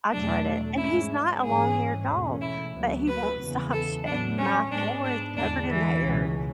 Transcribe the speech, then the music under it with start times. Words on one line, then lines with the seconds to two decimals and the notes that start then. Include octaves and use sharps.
I dread it. And he's not a long-haired dog, but he won't stop shedding, my floor is covered in hair,
0.13 E2 B2 F#3 A3 D4
0.78 G#2 G#3 C#4 E4
1.43 G#2 E3 G#3 C#4 G#4
2.08 E2 B2 A3 C#4
2.42 E4
2.75 D2 D3 F#3 B3
3.07 B4
3.40 E2 C#3 E3 B3
3.73 A4
4.05 A2 F#3 B3 D4
4.38 C#4
4.71 G#2 G#3 B3 D4
5.04 D4
5.37 E2 D3 G#3 D4
5.69 E3
6.01 C#2 B2 G#3 C#4